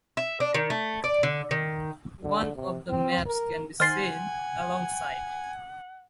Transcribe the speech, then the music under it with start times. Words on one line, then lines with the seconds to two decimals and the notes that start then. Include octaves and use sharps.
One of the maps can be seen alongside.
0.17 E5
0.40 D4
0.54 D#3
0.70 A3
1.04 D5
1.23 D3
1.51 D#3
2.23 D3
2.55 C3
2.89 C4
3.26 A#4
3.80 D#3 C5 F#5 G#5 C6 F6 A6 C7